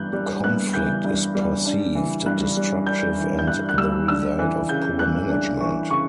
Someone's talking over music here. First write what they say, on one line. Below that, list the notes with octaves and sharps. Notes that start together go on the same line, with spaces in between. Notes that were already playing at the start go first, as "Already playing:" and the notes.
Conflict is perceived destructive and the result of poor management.
Already playing: G2 E3 B3 F#6 G6
G3
B3 F#6
E3 G6
G2
G3
D4
E3
G2 F#6
G3
D4 G6
E3
G6
G2 F#6
F#6
G3 E6
D4 E6
E3 F#6
C#3 G6
G3 F#6
D4
E3 C#6
C#3 C#6